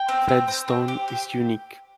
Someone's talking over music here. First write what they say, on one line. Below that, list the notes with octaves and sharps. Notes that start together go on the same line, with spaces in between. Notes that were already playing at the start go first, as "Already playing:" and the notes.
Fred Stone is unique.
Already playing: G5
C4
C4
C4
C4
G4
G4